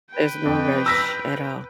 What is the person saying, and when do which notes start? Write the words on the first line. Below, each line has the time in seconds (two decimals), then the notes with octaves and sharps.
There's no rush, at all.
0.11 B4 G5
0.45 F2
0.86 E6 A#6 B6